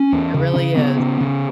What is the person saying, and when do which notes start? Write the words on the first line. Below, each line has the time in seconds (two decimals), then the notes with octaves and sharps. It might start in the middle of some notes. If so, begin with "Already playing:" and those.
It really is.
Already playing: C#4
0.12 E2
0.34 C#3
0.56 C#3
0.77 C#3 B3
1.00 C#3
1.21 C#3